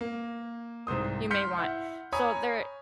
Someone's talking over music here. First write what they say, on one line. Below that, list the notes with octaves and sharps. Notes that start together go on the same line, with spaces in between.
you may want. So there
A#3
C2 G#2 C5 D#6
C6 F6 G6 B6 C#7
E4 F#5
C#5 G#5 A#5 B5 D#6